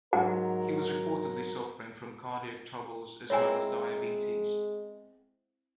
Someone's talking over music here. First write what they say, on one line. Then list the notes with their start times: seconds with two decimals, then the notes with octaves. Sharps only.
He was reportedly suffering from cardiac troubles, as well as diabetes.
0.13 G#2 F#3 A#4 F#5
3.30 G#3 C4 E4 A#4 C#5 G#5